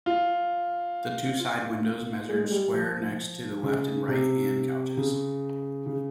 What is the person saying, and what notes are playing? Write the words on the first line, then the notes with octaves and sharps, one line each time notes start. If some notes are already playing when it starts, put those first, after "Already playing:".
The two side windows measured square next to the left and right-hand couches.
F4
F4
G#3
G#3
G3
F3
C#3
C3
C#3
C#3